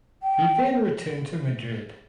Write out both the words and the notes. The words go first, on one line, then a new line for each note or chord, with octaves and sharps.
He then returned to Madrid.
G5